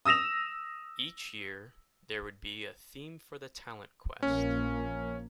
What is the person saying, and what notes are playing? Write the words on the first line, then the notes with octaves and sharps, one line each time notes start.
Each year, there would be a theme for the Talent Quest.
D#6 E6 A#6 E7 F7
A#1 F3 A#3 C#4